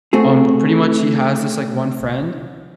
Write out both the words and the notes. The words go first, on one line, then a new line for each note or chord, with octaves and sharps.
um, pretty much he has this like one friend.
A3 C4 F#4 G#4